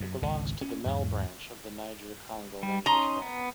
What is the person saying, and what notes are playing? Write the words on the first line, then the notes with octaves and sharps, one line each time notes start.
It belongs to the Mel branch of the Niger-Congo language family.
F#2
G#1 C#2 C3
C#4
E2 G#2
G3
C#4 D#4 A#5 C6
B3